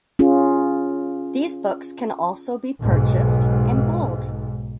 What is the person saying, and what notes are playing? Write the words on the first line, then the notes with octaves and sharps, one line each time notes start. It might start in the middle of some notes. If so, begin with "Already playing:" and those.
These books can also be purchased in Bold.
C#4 F4 G#4
B1 G#2